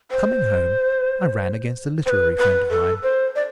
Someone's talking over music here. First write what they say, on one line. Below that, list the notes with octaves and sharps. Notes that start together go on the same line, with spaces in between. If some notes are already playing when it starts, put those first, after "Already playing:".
Coming home, I ran against a literary friend of mine.
C5
C5
B4
B4
A4
C5
D5